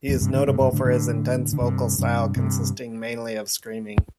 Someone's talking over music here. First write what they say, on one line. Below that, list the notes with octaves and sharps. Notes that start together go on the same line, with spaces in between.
He is notable for his intense vocal style, consisting mainly of screaming.
E2 A2
G2 C3
A2 D3
G2 C3
G2 C3
A2 D3
A2 D3
D3
G2 C3
G2 C3
G2 C3